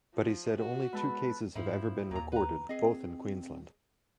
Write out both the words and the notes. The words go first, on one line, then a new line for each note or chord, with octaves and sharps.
But he said only two cases have ever been recorded, both in Queensland.
F3
F#4
G#3 B3 A4 B4
G#2 F3 E4
D#2 A#2 A#5
B4 A#5
C4 G#4 D#5